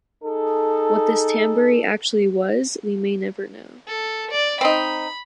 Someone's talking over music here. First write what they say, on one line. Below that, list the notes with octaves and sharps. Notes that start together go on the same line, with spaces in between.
What this tambouri actually was we may never know.
D#4 G#4 A4
A4
D5
C4 D#4 B5